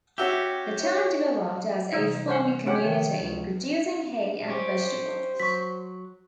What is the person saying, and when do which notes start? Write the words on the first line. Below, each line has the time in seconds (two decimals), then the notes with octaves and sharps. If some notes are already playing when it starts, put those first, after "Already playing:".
The town developed as a farming community, producing hay and vegetables.
0.18 C#4 F#4 G4 E5
0.83 C#5
1.93 C3 E3 G3 D#4
2.28 C5 F#5
2.66 B3 C#4 G4 C#5 F#5
2.84 D#3 F3
3.18 C#2 F3
4.48 C#4 G4 C5
5.40 F#3 C#6 B6